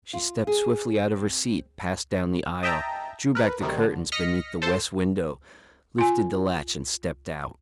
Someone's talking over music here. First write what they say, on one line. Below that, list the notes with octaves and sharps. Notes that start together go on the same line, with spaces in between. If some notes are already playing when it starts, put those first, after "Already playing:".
She stepped swiftly out of her seat, passed down the aisle, drew back the curtains beneath the west window, lifted the latch and stepped out.
F4
G#4
C4
D#5 E5 G5 A5 A#5
A#4 B4
D2 C3 D#3 G3
D3
D#5 F6 A#6 B6 C#7
A4 C5 A5
F4 G#5